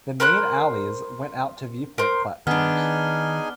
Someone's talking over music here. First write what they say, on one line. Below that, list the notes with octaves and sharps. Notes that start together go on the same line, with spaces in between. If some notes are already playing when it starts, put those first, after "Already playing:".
The main alleys went out to viewpoint platforms.
A#4 C5 B5 F#6
A#4 C5
D#3 B3 D4 D#4 G#4 G#5 F6